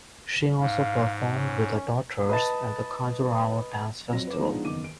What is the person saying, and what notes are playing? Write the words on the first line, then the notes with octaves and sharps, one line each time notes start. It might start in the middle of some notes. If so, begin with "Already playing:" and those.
She also performed with her daughters at the Khajuraho Dance Festival.
G#2 F5
C#4
B4 D#5 A5
F2 F#3 A#6
B4 D6
F3 G#3 B3 D4 D#4
F#1 E2 D#3 D6 D#7
D7